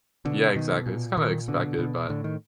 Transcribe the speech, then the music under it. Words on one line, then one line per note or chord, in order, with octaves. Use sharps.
Yeah, exactly, it's kind of expected, but
B2 D3
B2 D#3
A#2
A#2 D#3
B2 D3
B2
A2 D3
D#3